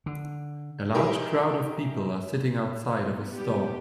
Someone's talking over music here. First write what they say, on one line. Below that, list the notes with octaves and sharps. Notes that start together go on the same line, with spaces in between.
A large crowd of people are sitting outside of a store.
D3
D#4 E4 G4 G#4 A#4
G3 B3
G4